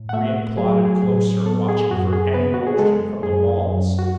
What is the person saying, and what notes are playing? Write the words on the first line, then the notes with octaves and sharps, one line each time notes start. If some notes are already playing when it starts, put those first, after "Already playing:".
Brion plodded closer, watching for any motion from the walls.
Already playing: A2
F#5
A3 E5
F#3 G#4
F#4
G#4
A2 G#4
B3 A4
G#4
F#2 F#4
G#4
B3 B4
F#4
G#4
G#3 A4
F#2 G#4
F#2
F#4